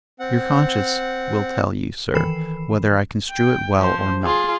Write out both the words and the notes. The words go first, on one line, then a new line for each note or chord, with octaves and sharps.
Your conscience will tell you, sir, whether I construe it well or not.'
C4 F#5
D#3 E3 A4 B5 C7 E7
G5
F3 C5
F4 G#4